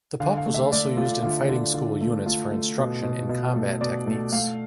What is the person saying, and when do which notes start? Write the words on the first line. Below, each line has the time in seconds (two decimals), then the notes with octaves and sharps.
The Pup was also used in Fighting School units for instruction in combat techniques.
0.20 D3 F5
0.37 F5
0.46 A3
0.54 E5
0.72 A3 D5
0.97 A3 F4
1.23 D3 F4
1.49 D3 F4
1.74 D3 F4
2.01 A3
2.26 A3 F4
2.51 A3
2.78 B2
3.03 B2
3.29 B2
3.56 A3
3.81 B2 D5
4.07 A3
4.32 A3 F5